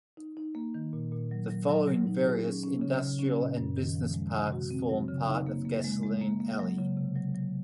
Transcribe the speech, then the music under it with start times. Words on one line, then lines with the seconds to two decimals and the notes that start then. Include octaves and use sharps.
The following various industrial and business parks form part of Gasoline Alley.
0.17 D#4
0.37 D#4
0.55 A#3
0.74 D#3
0.93 A#2
1.12 A#2
1.31 F#3
1.50 F#3
1.69 F#3
1.87 F#3
2.07 D#4
2.25 G#4
2.44 C#4
2.63 C#4
2.81 C#3
3.00 C#3
3.19 C#4
3.38 A#2
3.57 F#2
3.76 D#3
3.95 F3
4.14 G#3
4.33 C3
4.52 F#4
4.71 C4
4.89 F#3
5.09 C#3
5.27 D#4
5.47 A#3
5.65 A#3
5.84 G#3
6.03 G#3
6.21 A#3
6.40 A#3
6.60 F#3
6.78 C#3
6.97 C3
7.16 F#3
7.35 F#3